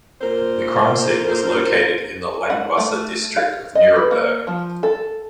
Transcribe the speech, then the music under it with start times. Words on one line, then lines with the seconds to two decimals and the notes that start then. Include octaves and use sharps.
The crime scene was located in the Langwasser district of Nuremberg.
0.22 A#2 A#4 C5
2.50 F#5
2.77 A3
3.36 F5
3.75 D#5
3.96 B4
4.11 A#3
4.47 F3
4.83 A4